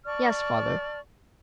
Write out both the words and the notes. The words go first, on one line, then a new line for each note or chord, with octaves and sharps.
"Yes, father."
D5 A5 C#6 F6